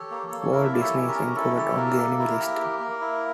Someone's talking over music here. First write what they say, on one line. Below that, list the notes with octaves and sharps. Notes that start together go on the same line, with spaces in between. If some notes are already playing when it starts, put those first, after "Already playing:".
Walt Disney is included on the Enemy List.
Already playing: G4 A4 C#5
A#3
A#3
C#5
E4 A#4
E5
G4 D5
A4 C#5
C#4
A#4
C#4
E4 A4
G4 A4
A#3 A#4
A#3 A4
E4 A#4
G4
A#3
A#3
E4